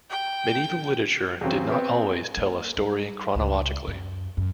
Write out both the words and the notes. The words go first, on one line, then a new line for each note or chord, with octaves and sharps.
Medieval literature did not always tell a story chronologically.
G5
E2 C#3 F#3 C4
B3 C4
A#3
G3
C#2
F#2
F#2